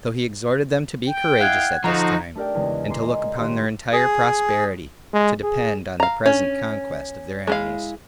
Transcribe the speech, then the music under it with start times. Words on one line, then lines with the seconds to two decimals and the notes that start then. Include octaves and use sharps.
So he exhorted them to be courageous at this time, and to look upon their entire prosperity to depend on the present conquest of their enemies.
1.08 G5
1.40 E4 D#5 F5 F#5 F#6 G#6
1.84 F2 D3 F3 D#4 F#4 A#5 B5
2.35 A3 D4 G4 A#4 D5 G5
2.55 E2 C#3 G#3
2.89 G#5 A#5 C6 D6 C7
3.01 D#5
3.36 G#1 G4 C#5 C6
3.93 G#4
5.13 G#3
5.43 G#4
6.00 F5 A#5
6.26 C#4 C#5
7.47 G#3 E4 F5